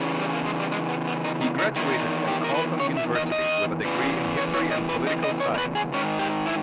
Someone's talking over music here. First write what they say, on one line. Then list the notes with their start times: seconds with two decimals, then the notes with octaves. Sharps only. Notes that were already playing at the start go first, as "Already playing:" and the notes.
He graduated from Carleton University, with a degree in History and Political Science.
Already playing: E2 C#3 E3
0.19 G3
0.33 A#3
0.45 G#3
0.60 G3
0.72 G#3
0.89 B3
1.07 B3
1.25 D#4
1.41 D#4
1.59 D#4
1.76 E2 D#3 E4
1.93 D#4
2.28 G4
2.44 A#4
2.55 B4
2.80 C#5
2.97 E5
3.15 D#5
3.32 D#5
3.84 E2 C#3 E3
4.37 C#5
4.54 C#5
4.71 D#5
4.89 B4
5.07 D#5
5.24 D#5
5.40 C#5
5.54 A#4
5.58 B4
5.75 G#4
5.93 G#2 D#3 C#4
6.19 G4
6.46 E4